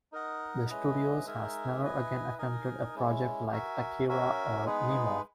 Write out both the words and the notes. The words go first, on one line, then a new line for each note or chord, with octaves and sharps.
The studios has never again attempted a project like "Akira" or "Nemo".
D#4 A#4 D#5 F#5
G#3 C#4 E4 B4 D#5
G#3 D#4 A#4 E5 G#5
E4 B4 D#5 G#5
D#4 A#4 D#5 G#5
G#3 C#4 E4
F#4 A#4 E5 G#5
C#4 F#4 A#4 E5 G#5
G#3 B3 D#4 G#4 B4